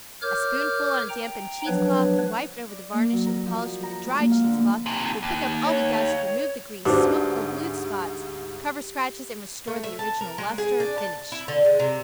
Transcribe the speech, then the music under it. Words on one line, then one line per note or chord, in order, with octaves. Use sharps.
A spoonful on a dampened cheese cloth wiped over the varnish and polished with a dry cheese cloth will pick up all the dust, remove the grease, smoked or blued spots, cover scratches and restore the original lustre or finish.
A#4 C#5 D6 F6 G6
G5 A#5
F3 F#3 B3 D4 B4 C#5
D5
A#3
F#3
A#4
F3
A#5
G#3
A#3
F5
D3
A#3
D#2 C3
D#2
C#5
D2 G#2 D4 F#4 G4 C5
A3
E5
A5
A#4
G#3
G#4
D4
A5
E4
D3
G#3
C3